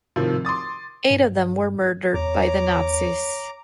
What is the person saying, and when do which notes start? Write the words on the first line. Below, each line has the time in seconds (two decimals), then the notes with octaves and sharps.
Eight of them were murdered by the Nazis.
0.16 A2 C3 D#3 F3
0.45 C6 D6 D#6 A6
1.11 G2
2.14 E2 C#5 A#5 D6